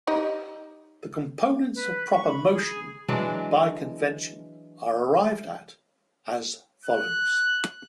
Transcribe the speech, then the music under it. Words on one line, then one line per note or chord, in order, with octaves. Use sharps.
The components of proper motion by convention are arrived at as follows.
D#4 G4 D#5
B4
C#6
B5
G#4
E3 F#3 G#3 D4
F#6